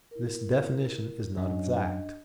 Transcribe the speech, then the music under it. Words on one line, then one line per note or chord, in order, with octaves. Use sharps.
'This definition is not exact.
E4 A#4
F#2 F#3 D4 D#5